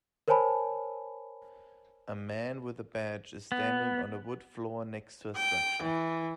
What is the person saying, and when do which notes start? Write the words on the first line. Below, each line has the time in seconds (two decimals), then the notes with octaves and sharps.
A man with a badge is standing on a wood floor next to a structure.
0.28 A#4 C5 C#5 G#5 A5 B5
3.52 B3
5.36 G5
5.82 E3